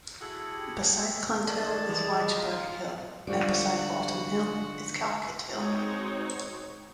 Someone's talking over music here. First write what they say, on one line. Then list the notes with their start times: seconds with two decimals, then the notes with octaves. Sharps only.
Beside Clent Hill is Wychbury Hill and beside Walton Hill is Calcot Hill.
0.21 E4 F#4 G#4 A4
0.52 G4
1.47 D#3 G#4 D5 A5
1.89 E3 G#3
2.36 F#3 D#4 F4
3.27 G#2 D3 F3 G3 F#4 A4 D5
5.53 G#3 C4 D#4 F#4 C#5